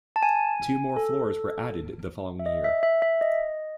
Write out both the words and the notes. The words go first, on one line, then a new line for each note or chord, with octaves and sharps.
Two more floors were added the following year.
A5
G#5
A4
E5
D#5
E5
E5
E5
D#5